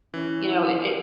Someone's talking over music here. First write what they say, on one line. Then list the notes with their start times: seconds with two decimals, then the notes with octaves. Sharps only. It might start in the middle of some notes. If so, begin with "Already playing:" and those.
you know? I it
0.14 E3 C#4
0.45 E4
0.57 E4
0.67 G#4
0.79 A#4